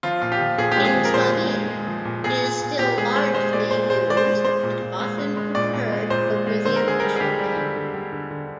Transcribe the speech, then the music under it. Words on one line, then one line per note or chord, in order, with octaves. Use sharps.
In Slovene it is still largely used and often preferred over the official name.
F3 F4
A#2 F4
G4
F3
A#2 G#4
G4
G#3
G#4
F3
A#4
A#2 C5
G#3
G#3
G#3
F3
A#2
A#2 G#4
A#2
A#2
A#2 G4
G#3 G#4
G#3 C5
G#3 C5
A#2 D5
A#2 C5
A#2 C5
G#3 D5
C5
G#3
G#3 C5
A#2
A#2
G#3
G#3
G#3
A#2 D5
A#2
G#3
A#2 C5
G#3
G#3
D3 C5
A#4
D3 G#4
G3 A#4
G#4
D3 G4
G3
D3
D3
G3
D3
D3